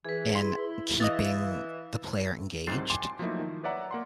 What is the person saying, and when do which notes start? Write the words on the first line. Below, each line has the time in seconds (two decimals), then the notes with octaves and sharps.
in keeping the player engaged,
0.05 E3 G#4 B4
0.35 E4 C6
1.00 E3 D#5 F5 D#6 A6
2.67 C2 G#2 F#3 C4 A6 C7
2.90 G5 G#5 C6 D6
3.19 F3 F#3 A3 A#3 D#4 E4
3.40 D#3
3.63 B4 C#5 D5 E5 F#5 A#5
3.91 A#3 F#5 C6